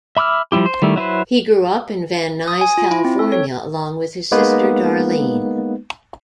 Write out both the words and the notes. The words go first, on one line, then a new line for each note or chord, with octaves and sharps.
He grew up in Van Nuys, California along with his sister Darlene.
E5 B5 D6 E6 F6
F3 G3 D4 E4 G4
C5
D#3 G3 A3 E4
F#3 E4 B4 C5
D#6
G#5
F4
E4
C4
A4
C#5
G#3 A#3 B3 D#4 B4